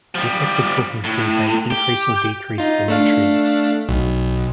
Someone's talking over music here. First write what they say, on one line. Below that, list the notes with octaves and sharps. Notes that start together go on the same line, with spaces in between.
The effect of cooking food may increase or decrease the nutrients.
F3 G3
A2
G4
D#4 F4
A3 D4 F5
B1